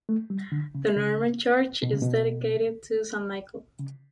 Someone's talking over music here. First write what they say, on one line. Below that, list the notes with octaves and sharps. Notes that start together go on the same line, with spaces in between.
The Norman church is dedicated to Saint Michael.
A3
G3
D3
C#3
C#3
B2
C#3
B2
C#3